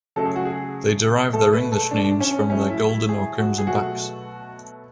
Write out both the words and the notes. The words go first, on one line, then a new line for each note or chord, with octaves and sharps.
They derive their English names from their golden or crimson backs.
C#3 F#3 A3 A4
G#4
F#4
G#4
B2 A3 A4
B4
A4
D4
C#4
A2 F#3 A3 C#4
E4
E4
G#4
F#4
G#4
B2 F#3 A3 F#4